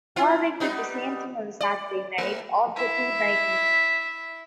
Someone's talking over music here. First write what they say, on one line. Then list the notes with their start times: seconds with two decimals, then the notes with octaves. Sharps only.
Warwick did the same thing on the Saturday night of the two night meeting.
0.16 E4 F4
0.60 G3 B3 D#4
1.61 D5
2.18 A3
2.76 E4 E5